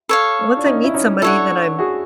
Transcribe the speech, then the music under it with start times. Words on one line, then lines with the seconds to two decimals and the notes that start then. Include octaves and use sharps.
once I meet somebody, then I'm
0.09 A4 C#5 F5
0.57 D4
0.65 C#4 D#4
0.84 E4
0.94 C#4 D#4
1.22 D4 E4 A4 C#5 F#5
1.79 F#4 G#4